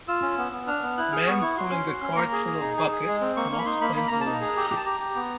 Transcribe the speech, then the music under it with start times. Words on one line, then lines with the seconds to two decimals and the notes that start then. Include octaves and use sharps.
Man pulling a cart full of buckets, mops and brooms.
0.08 F4 E6
0.22 C#4
0.38 B3
0.52 B3
0.67 D4 F6
0.83 B3
0.97 E4 F#6
1.12 G#4 F6
1.27 B3 C#6
1.42 E4 C#6
1.57 F#4 C6
1.71 C#4
1.86 F#4
2.02 C#4
2.16 A#3 A#5
2.32 G#4
2.47 G#4
2.61 D#4
2.77 G#4
2.92 G#4
3.07 G#3
3.21 C4
3.37 A#3 C#6
3.52 A#3
3.59 B5
3.66 D#4 C6
3.81 A#3 B5
3.96 A#3 B5
4.08 A#3 A#5
4.21 A5
4.26 D#4
4.33 A#5
4.41 G#4
4.56 G4
4.70 G4
4.76 A5
4.86 G4 A#5
5.00 G4
5.15 B3